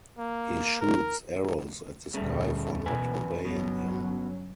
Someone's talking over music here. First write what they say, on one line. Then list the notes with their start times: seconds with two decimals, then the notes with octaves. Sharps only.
He shoots arrows at the sky for not obeying him.
0.19 A#3
0.81 A#4
2.15 D2 A#2 C#3 G3 A3
2.86 F#2 B2 E3 B4 G#5
3.45 G1 B2 F#3 C#4